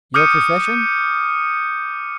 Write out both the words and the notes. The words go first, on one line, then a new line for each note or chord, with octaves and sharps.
"Your profession?"
D6 D#6 F6 G6 C#7 D#7